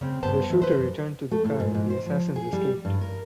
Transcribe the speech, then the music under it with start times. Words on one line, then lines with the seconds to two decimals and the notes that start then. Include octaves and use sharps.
The shooter returned to the car and the assassins escaped.
0.01 C#3 C4
0.23 G2 B3 C5 A5
0.50 E3
0.62 B4 C5
0.78 F#2
1.31 A3
1.44 A2
1.60 G#2
1.74 G#2
1.90 C5
2.06 F3
2.36 G#4
2.53 G3
2.85 G2
3.01 A#4